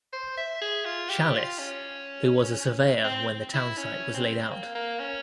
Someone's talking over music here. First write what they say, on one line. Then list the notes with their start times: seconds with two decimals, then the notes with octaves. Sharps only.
Challis, who was a surveyor when the townsite was laid out.
0.13 C5
0.37 E5
0.61 G#4
0.85 F4
1.10 G4
1.35 F4
1.58 C#4
3.04 C4
3.54 E4
3.77 C#4
4.14 C4
4.51 A#3
4.75 A#3
4.99 C#4